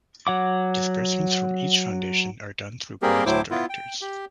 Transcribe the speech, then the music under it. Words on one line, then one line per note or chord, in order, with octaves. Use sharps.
Disbursements from each foundation are done through boards of directors.
F#3 F#5 D6
G3 A#3 C4 G4 G#4 A#4
D2 A2 F#3 E4 C5 D6
B3 E4 F4
G5
G4